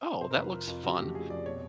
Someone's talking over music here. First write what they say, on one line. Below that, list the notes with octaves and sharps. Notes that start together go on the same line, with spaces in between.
"Oh, that looks fun."
C3 C5
A#4
F2 B4
F3 A#4
F2 F4
C#3 F#4
A3 G4
F3 G#4
F2 D5
B2 C#5